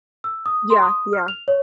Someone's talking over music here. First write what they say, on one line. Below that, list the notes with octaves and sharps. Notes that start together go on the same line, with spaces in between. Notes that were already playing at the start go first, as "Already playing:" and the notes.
Yeah, yeah.
E6
D#6
C6
D#6
F6
F7
C#5